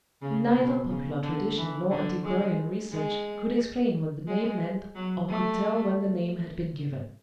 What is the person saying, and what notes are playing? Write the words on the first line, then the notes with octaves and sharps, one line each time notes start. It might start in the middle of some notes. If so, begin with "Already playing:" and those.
Neither popular tradition nor antiquarian research could explain what the name meant, or could tell when the name had been given.
C#3
B2
C#3
D3
E3
D3
G#3
G#3
G#3
F#3
A3